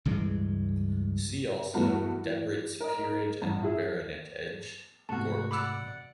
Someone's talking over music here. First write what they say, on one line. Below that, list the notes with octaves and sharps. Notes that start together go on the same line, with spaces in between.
See also "Debrett's Peerage and Baronetage" - Gort.
C#2 G2 E3 G#3
G2 B2 E3 A3 B3 F#4
E3
A#4 D#5
A1 G2
E4 G#4 E5
G#2 C3 A3 B3 F#4 A5
D5 F#5 B5 D6 E6